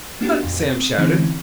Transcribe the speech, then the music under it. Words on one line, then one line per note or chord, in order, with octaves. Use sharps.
"Look!" Sam shouted.
A#3 B3 D4 F#4 G4
F2 A#2
C4
D#6
D3 E3 C4 C#4 D#4 E4